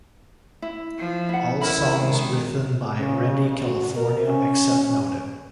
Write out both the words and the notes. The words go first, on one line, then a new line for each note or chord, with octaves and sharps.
All songs written by Randy California except noted.
E4
F3
E4 F#5
C#4 E4 A#4 B5
D#3 G#3
C#3
F#4
A#4
C#4